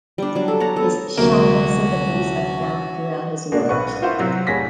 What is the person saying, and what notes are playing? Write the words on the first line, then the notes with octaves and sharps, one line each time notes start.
His Shia sympathies are found throughout his works.
G3 D4
F#3 D4
A4
C#5 F#5 A#5
B3 A4
D2 C3 F#3 A#3 C#4 F#4
G#3 A#3 D4 F#4
B1 B4 F#5 C#6
E4 F4 A#4 C5 F#5
C3 F#3 F#4
F1 A2 G#4 C#5 A#6 B6